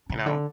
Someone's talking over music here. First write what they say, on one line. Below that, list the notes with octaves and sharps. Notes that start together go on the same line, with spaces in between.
You know?
C#3
D3